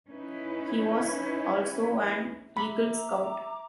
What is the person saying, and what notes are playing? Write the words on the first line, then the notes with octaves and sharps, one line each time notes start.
He was also an Eagle Scout.
C#4 D#4 E4 B4
E5 A#5 B5 D6